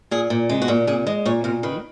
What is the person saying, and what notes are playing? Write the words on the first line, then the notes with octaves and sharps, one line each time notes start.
Mhm. Mhm.
A#2 G#4
A#2
G#3
F#4
A#2
A#2 G#4
G#3 D#5
A#2 C#5
A#2 A#4
D#3 B4